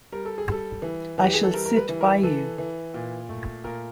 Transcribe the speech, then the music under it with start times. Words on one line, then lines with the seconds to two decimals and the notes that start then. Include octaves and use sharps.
I shall sit by you.
0.12 G3 A#4
0.25 A4
0.38 G#4
0.48 G3 A4
0.82 E3
1.18 E3
1.24 G4
1.34 G#4
1.43 A4
1.53 G3 A#4
1.66 A#4
1.77 B4
1.89 E3
2.01 A#4
2.23 E3 A4
2.58 E3
2.94 A#2
3.29 A3
3.64 A#2 A#4